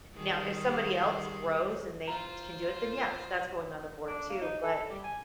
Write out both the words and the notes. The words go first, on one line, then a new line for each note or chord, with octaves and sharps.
Now if somebody else grows and they can do it, then, yes, that's going on the board too. But,
D#3 G3 G#4
F4 C5 A#5
D4
A#3
D#4
A4
G3
G#5